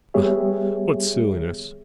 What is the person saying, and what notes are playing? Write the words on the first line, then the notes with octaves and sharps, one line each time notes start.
Ah, what silliness!
G3 B3 G4 G#4 C#5 E5